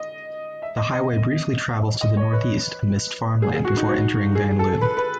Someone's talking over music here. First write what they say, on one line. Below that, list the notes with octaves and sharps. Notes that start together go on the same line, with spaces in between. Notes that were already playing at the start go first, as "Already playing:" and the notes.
The highway briefly travels to the northeast amidst farmland before entering Vanlue.
Already playing: D#5
E5
D#5
D#5
D#5
C#5
B4
G#4
G#4
F#4
D#4
F#4
G#4
A4
B4
B4